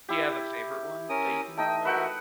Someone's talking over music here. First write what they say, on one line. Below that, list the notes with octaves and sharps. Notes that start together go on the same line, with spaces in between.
Do you have a favorite one that you can remember?
E4 G4
C#4 A#4 D#6
A3 D#4 D#5 G5
F#4 A#4 B4 E5 F#5 G5